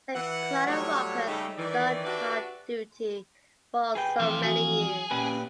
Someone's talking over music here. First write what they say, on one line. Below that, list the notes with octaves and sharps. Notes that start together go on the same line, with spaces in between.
The cradle-rockers had done hard duty for so many years.
E3 F#5
A2 F#3 G3 A3 E4 C#5
C#3 G3 A3 D#4 G4 A4
D#3 E3 D5
D4 F#4 G4 B4 D5 E5
G#4 B4 G5
F2 C3 E3 F5
F#4 G#4
A#2 C#4 G4 B4